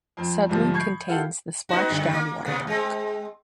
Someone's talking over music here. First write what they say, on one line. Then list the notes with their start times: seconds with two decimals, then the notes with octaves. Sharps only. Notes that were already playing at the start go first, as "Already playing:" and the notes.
Sudley contains the Splash Down Waterpark.
0.17 F2 C4
0.49 C2 G#2 D3 F3 G3
0.74 B5 C#6 G6 G#6 C7
1.08 E4 F4 G4 A4 F5 F#5
1.69 B3 D#4 F#4
1.90 F#2 D3
2.13 A#3
2.45 B2 A#3 B3
2.67 G#3 C4